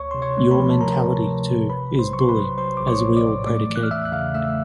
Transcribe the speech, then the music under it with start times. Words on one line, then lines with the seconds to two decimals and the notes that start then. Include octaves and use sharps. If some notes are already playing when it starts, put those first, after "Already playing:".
Your mentality, too, is bully, as we all predicate.
Already playing: D2 C#5 C#6
0.11 C3 C6
0.22 C#5 C#6
0.37 A3
0.51 B4 B5
0.59 F3
0.70 A5
0.81 C3 A#4 A#5
1.03 C3
1.25 C3
1.47 C3
1.69 A#1 B4 B5
1.92 A#1
1.99 C5 C6
2.13 F#3 C#6
2.21 C6
2.29 B4 B5
2.36 F#3
2.58 F#3 C5 C6
2.77 A#1 D6
2.87 C#5 C#6
3.03 A#1
3.17 D5 D6
3.25 A2
3.46 A3 D5 D6
3.69 E3
3.76 F#6
3.83 F6
3.91 E2 E5 E6
4.06 F#6
4.12 C#3 F5 F6
4.34 A3 E5 E6